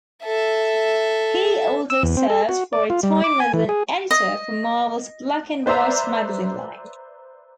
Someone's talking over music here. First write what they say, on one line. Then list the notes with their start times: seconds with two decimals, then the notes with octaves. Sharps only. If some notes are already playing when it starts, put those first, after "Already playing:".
He also served for a time as an editor for Marvel's black-and-white magazine line.
0.25 A4 E5
1.90 E6
2.03 E2
2.17 C4
2.30 A4
2.49 F#4
2.73 D5
2.90 F4
3.03 G3
3.24 D6
3.40 G#5
3.54 E3
3.69 G#4
4.11 D#5
5.66 B4 C5 D5 E5 A#5